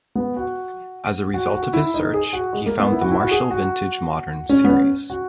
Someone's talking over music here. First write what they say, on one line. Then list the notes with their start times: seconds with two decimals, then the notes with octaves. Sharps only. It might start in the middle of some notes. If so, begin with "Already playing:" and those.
As a result of his search he found the Marshall Vintage Modern series.
0.15 B3
0.36 F#4
1.34 F#4
1.53 F#4
1.73 E4
1.94 D#4
2.14 G#4
2.33 F#4
2.53 G#3
2.66 A#3
2.80 B3
2.92 E4
3.01 F#4
3.11 E4
3.21 F#4
3.31 G#4
3.51 F#4
4.49 C#4
4.64 B3
4.69 C#4
5.10 F#4